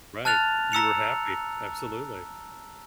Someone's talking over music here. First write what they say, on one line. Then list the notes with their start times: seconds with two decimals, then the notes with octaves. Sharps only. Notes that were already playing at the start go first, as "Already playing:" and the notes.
Right, you were happy, absolutely.
0.25 A5 F6 F#6 A6 F7
0.72 A#5 E6 C#7 F7